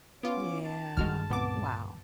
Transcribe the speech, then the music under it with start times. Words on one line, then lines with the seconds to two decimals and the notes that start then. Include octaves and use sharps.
Yeah, wow.
0.23 B3 C#4 F4 D6
0.65 A5
0.97 G2 D3 D#3 G3 G#3 F#4 F6
1.30 C#2 A#2 B3 C4 D6